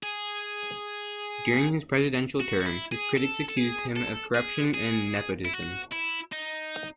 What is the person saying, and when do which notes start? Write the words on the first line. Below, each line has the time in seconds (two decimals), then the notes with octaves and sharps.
During his presidential term, his critics accused him of corruption and nepotism.
0.03 G#4
2.40 F#4
2.60 F#4
2.66 E4
2.92 G#4
3.17 A4
3.49 A4
3.57 G#4
3.97 A4
4.35 G#4
4.74 G#4
5.45 E4
5.53 F#4
5.92 E4
6.32 D#4